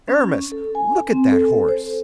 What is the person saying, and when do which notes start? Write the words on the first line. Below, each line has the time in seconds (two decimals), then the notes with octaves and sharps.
"Aramis, look at that horse!"
0.08 C#4
0.52 A4
0.75 G#5
1.12 C4
1.32 A4
1.69 C5